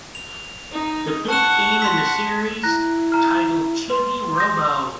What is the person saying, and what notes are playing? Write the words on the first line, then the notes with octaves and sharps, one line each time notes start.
The fifth game in the series, titled Chibi-Robo!
F7
D#4
F#5 A5 C#6 F#6 E7
C6 B6
E4 A#5 F#6 A#6
A#5 F6
B4 C6
G6 A#6